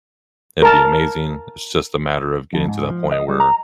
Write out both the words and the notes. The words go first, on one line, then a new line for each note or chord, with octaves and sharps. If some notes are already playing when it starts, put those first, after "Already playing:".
it'd be amazing. It's just a matter of getting to that point where
A#4 A5
F2
G#2
F3
D#5
G3
A#5